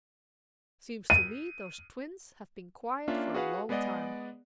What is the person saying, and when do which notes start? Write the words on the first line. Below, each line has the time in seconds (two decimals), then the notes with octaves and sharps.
"Seems to me those Twins have been quiet for a long time."
1.10 D#7
3.08 A#3 C#4 D4 F4 E5
3.34 F#4 G#4 B4 F5 F#5
3.69 G#3 B3 G#4 D5 D#5 F#5